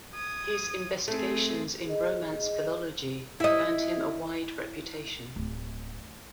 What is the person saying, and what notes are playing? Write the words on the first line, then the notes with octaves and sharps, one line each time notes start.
His investigations in Romance philology earned him a wide reputation.
D#6 G#6
A3 C4 G#4
G#4 D#5
E4 D#5
D1